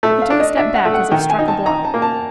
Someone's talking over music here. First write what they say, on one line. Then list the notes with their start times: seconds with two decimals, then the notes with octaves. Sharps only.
He took a step back as if struck a blow.
0.03 A3 E5
0.22 F5
0.30 D4
0.40 D#5
0.57 D4 E5
0.75 F#5
0.85 A3
0.94 F#5
1.11 D#3 G5
1.30 G#5
1.39 D#4
1.48 A5
1.66 D#4 A#5
1.85 A5
1.94 A#3
2.02 A5